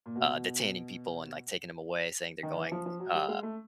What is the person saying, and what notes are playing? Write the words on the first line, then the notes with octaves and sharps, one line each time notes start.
uh, detaining people and, like, taking them away, saying they're going uh,
A#2
B2
D#3
E3
F3
F3
F#3
G3
G#3
A3